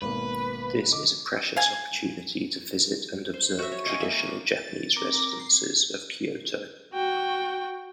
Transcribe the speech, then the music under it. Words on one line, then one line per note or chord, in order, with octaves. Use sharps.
This is a precious opportunity to visit and observe traditional Japanese residences of Kyoto.
G#1 B2 A#3 B4
D3 D#5 D6
F5 G#5
C5
F#4 E5
C#5
D#5 F5 G5 G#5
A#3 E5 C#6
D4
A6
C4 A#4 D6
C7
F#4 G5